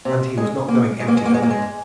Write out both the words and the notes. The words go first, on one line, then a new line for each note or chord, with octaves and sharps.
And he was not going empty-handed.
C3
G#3
A#3
G#3
A#3
G#3
A#3
G#3
A#3
G#3